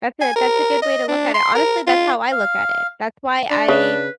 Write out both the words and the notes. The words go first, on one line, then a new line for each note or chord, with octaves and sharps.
That's a that's a good way to look at it. Honestly, that's how I look at it. That's why I
G#5
A#4
D#5
D4
C6
A#4
F4
F5
D4 D5
C#3 B4